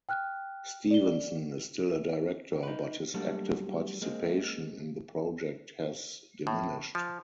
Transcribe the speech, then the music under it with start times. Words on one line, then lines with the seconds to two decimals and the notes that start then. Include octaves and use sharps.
Stevenson is still a director, but his active participation in the project has diminished.
0.09 G5 F6 F#6
0.91 D5 G7
2.63 D#4 B4
3.14 F#3 G3 A3 A#3 D4 F#4
4.02 G#3 A#3 C4
6.47 A2
6.95 F3